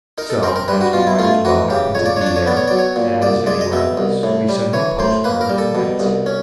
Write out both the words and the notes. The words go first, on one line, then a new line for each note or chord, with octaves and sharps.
So as we might as well happen to be there as anywhere else, we sent him a postcard and went.
D#4 A#4
A4
C4 A#4
A#4
G3 B4
F#4
B2 F4
E4
A3 F4
E3 F#4
C#3 G4
F2 C#5
D5
D4 C#5
D5
C#5
B3 D5
C#5
F#3 D5
C#5
A#2
C2 D5
G#3 D5
D#5
B2 E5
C2
A2
G3
E3 C#5
A2 C5
A#3 B4
A#4
G3
A4
B2
C2
C#4